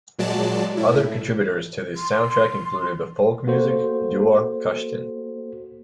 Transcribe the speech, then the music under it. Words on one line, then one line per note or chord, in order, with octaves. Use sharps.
Other contributors to the soundtrack included the folk music duo Kashtin.
A#2 F#3 G#3 D5 A5
A2 E4
C6
A#3 F#4 A4 C5